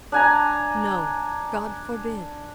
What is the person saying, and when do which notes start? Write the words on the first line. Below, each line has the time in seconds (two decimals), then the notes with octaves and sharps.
No, God forbid!
0.12 D4 G#5 A#5